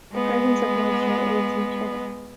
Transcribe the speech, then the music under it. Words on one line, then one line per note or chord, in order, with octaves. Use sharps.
The presence of moisture aids in the shedding.
G#3 B3